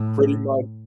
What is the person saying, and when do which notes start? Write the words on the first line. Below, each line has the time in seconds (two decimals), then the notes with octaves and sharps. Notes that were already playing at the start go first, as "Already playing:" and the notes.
Pretty much
Already playing: A2